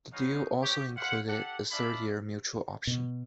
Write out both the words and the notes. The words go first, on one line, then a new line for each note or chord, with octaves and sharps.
The deal also included a third-year mutual option.
G#3 B3 D#4 F#4 C#5 F5
G4 C#5
E4 C5 F5 F#5
D4 G4 A4 F#5
G#3 D4 D5 E5 F5 B5
B2